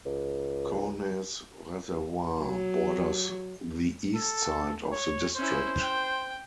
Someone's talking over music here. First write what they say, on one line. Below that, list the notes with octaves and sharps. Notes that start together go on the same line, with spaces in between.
Kaunas Reservoir borders the east side of the district.
C#2
F#3
A4
C#5
C#4 E4 C5
G5